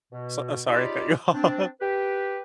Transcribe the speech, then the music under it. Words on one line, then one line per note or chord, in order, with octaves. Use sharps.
So, uh, sorry, cut you off.
B2
C#3 D#4 F4 G4 D5 B5
C4 D4
G4 B4